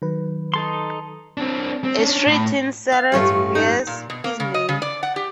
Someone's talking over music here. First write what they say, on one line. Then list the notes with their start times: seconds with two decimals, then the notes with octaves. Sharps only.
A street in Serres bears his name.
0.02 D#3 F#3 B4
0.54 D#4 A4 C6
1.38 C4 D4
1.84 C4
1.99 C#4 D4
2.26 A2
2.92 F5
3.12 A1 G2 A3 C#4 F4
3.55 D#4
3.87 A#2
4.10 B2
4.24 A#3
4.40 C#3
4.54 D#5
4.69 C#3
4.82 D5
5.03 F#5
5.16 G4